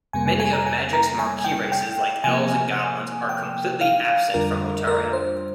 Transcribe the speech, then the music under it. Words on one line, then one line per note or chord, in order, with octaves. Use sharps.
Many of Magic's marquee races like Elves and Goblins are completely absent from Otaria.
F2 C3 G3 A#3 G#5
G#5
G#5
A#5
G#5
A#5
G#5
G5
G5
C3 F3 A#3 G#5
G5
F5
F2 D3 G3 D4 F4 A#4
A#4
C5